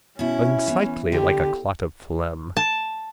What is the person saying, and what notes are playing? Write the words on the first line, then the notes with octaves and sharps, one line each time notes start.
Unsightly like a clot of phlegm.
B2 C#4 E4
E3
D3 G4
A5